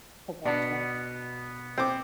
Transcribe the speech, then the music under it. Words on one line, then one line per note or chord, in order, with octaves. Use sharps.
to watch next.
B2 B3 D4
C4 D6